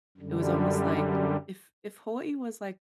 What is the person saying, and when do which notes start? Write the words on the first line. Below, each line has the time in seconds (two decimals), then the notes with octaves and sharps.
it was almost like if if Hawaii was like,
0.18 F#2 D3 G3